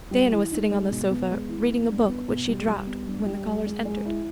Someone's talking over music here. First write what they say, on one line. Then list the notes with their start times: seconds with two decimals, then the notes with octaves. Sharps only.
Diana was sitting on the sofa, reading a book which she dropped when the callers entered.
0.11 G3
0.31 E3
0.51 D#4
0.71 G#3
0.91 B2
1.11 B3
1.30 G#3
1.49 E3
1.69 B3
1.89 G2
2.08 B3
2.29 B2
2.47 G3
2.67 G3
2.87 B3
3.08 G2
3.26 G3
3.47 G#3
3.67 G#3
3.85 G#3
4.05 E4